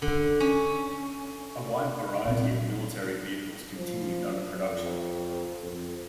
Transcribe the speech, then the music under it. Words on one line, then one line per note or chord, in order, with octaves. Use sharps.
A wide variety of military vehicles continued under production.
D3
C#4
A#2 C4
F3
F2
F2